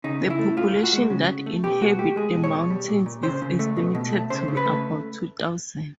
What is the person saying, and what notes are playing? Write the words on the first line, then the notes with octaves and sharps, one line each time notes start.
The population that inhabit the mountains is estimated to be about two thousand.
C#3 D#4
C#3
E4
A3
A2 F4
A2
F#4
G#3
C#3
C#3
A3
B2 G4
B2 F#4
A3 G4
G#3 G#4
B2
C#5
B2
G3
A#2
A#2
C#3 C5
C#3
A3
B2
B2
A3
C#3 C5
C#3
B4
A3